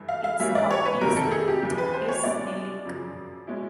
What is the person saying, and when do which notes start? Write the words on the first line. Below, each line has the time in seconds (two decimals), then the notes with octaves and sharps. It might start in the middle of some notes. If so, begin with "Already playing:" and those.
Its county seat is Neligh.
Already playing: G2 E3 A3
0.09 F5
0.24 F5
0.39 G#2 E3 G3 A#3 C#4 E5
0.55 D5
0.71 C#5
0.85 B4
1.01 F2 C3 D#3 G3 A#3 A#4
1.17 A4
1.31 G#4
1.48 G4
1.62 D#2 C#3 E3 G3
1.78 B4
1.94 C5
2.08 C#5
2.24 C2 B2 G#3 C#4 E4 D5
2.85 F#2 C#3 F3
3.47 B2 G#3 C#4 E4